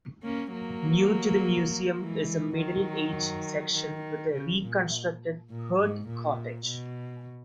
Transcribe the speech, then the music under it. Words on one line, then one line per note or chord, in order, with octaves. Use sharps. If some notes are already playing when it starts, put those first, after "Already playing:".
New to the museum is a middle ages section with a reconstructed hearth cottage.
A#3 C#4
F#3 A#3
E3 G#3
D#3 F#3
D#3
C#3
A#2
A#2
G#2
A#2
B2